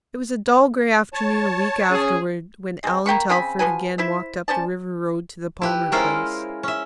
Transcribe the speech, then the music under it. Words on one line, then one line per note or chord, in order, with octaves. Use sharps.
It was a dull grey afternoon a week afterwards when Allan Telford again walked up the river road to the Palmer place.
C#5 A5
C#4 G#4
G#3 C4
A#3 G5 B5 C#6
C#3 C4 G#5 B5
F3 F#4 B4 G#5
E4 C5 E5
C#4 C5 D5 A5
E4 G4 B4
G#3 C#4 E4 F4 A#4 C5
C#4 E5